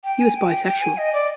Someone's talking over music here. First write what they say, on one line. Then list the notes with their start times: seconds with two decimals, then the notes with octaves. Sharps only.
He was bisexual.
0.04 G5
0.20 G#5
0.35 G5
0.50 G5
0.67 G5
0.82 G#5
0.97 D#5
1.13 D5